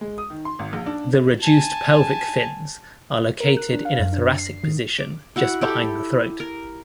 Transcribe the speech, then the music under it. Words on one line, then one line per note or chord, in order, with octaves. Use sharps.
The reduced pelvic fins are located in a thoracic position, just behind the throat.
G#3
D#6
D#3
C6
G#1
A#1
D4
G#5 A5
A#4
F#6
D4
F5
F#2
D4
C7
D#3
D6
E4 F#4 F#5
E4 G4 A4
A#4